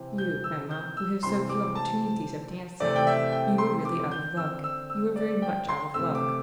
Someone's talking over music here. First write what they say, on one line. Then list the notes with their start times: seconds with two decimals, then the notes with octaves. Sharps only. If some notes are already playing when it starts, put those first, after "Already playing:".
"You, Emma, who have so few opportunities of dancing, you are really out of luck; you are very much out of luck!"
Already playing: C3 E3 C4
0.18 G6
0.44 E6
0.71 G6
0.97 E6
1.23 C3 E3 C4 C6
1.49 D6
1.75 A5
2.80 C3 E3 A3 C4 D5
2.96 G5
3.07 E5
3.32 G5
3.58 C6
3.85 D6
4.11 G6
4.37 D3 C4 E6
4.64 E6
4.90 E6
5.16 D5
5.42 G5
5.69 C6
5.94 C3 A3 C4 E6
6.15 D6